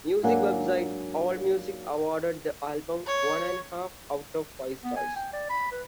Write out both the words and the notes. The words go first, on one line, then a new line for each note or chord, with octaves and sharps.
Music website AllMusic awarded the album one and a half out of five stars.
G#2 F#3 A#3 D4 F#5 G#5
C#5
B3
G#5
G5
D5
B5
B4